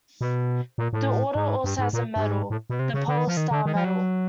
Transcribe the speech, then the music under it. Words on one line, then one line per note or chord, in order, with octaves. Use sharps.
This order also has a medal, "the Polar Star Medal".
B2
A#2
A2
G#2
G2
G#2
A#2
G2
G#2
A2
B2
C3
C#3
D3
D#3
F3
D#3
D3
D#3
F3
F#3